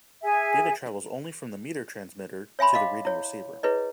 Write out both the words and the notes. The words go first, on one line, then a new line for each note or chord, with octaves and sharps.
Data travels only from the meter transmitter to the reading receiver.
G#4 E5 G#5
C#5 E5 G#5 B5 C6
D#5 F5 D6
E4 C#5
E4 G#4 B4 C#5 D#5